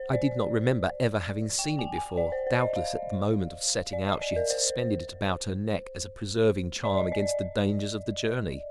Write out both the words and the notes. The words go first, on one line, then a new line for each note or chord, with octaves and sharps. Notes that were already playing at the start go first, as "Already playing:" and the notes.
I did not remember ever having seen it before; doubtless, at the moment of setting out she had suspended it about her neck as a preserving charm against the dangers of the journey.
Already playing: C5
D5
G5
G#5
G#5
D5
C5
C5
D#5
F5
D5
D#5
D5
A#4
C5
D5
D#5
D5